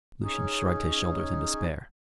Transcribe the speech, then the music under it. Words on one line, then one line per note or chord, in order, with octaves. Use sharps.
Lucian shrugged his shoulders in despair.
C#4 D#4 G#4